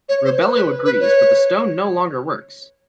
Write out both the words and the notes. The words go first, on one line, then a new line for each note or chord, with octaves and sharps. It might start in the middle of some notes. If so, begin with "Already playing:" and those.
Rubello agrees, but the stone no longer works.
C#5
C5
B4
B4
B4
C#5